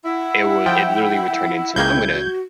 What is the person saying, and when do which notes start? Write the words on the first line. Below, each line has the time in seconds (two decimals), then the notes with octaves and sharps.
it would it, literally, would turn into "I'm gonna
0.05 E4 F#5
0.66 F3 G5
1.76 C#2 C#3 A#3 G5 G6 G#6
2.13 F#4